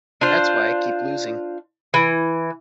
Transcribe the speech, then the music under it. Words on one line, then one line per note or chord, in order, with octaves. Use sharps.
That's why I keep losing.
D4 F4 C5
E3